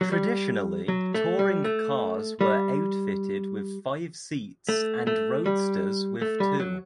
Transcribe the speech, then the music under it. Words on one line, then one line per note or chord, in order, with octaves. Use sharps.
Traditionally touring cars were outfitted with five seats and roadsters with two.
F#3
G3
F#3
A3
G3
A3
G3
A3
A3
G3
A3
G3
F#3